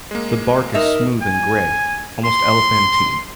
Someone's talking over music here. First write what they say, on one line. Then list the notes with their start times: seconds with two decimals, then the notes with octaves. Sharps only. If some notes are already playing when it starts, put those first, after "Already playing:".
The bark is smooth and grey, almost elephantine.
0.11 G#3 A#3
0.74 D#4 A#4 E5
1.22 G#5
2.25 C6